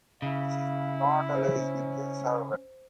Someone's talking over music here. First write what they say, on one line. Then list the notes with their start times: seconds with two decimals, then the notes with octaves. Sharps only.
This is not always the case, however.
0.22 C#3 E4 F5
1.35 C#4 C5